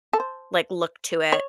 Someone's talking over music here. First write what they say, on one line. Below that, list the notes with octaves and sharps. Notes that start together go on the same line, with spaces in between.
like, look to it,
A4
C5
C#5